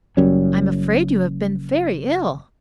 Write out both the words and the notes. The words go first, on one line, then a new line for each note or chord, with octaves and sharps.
"I am afraid you have been very ill."
F#1 F#2 G3 C#4